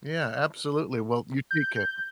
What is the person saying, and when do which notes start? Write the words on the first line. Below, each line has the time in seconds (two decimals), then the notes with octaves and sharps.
Yeah, absolutely, well, you take care.
1.51 G6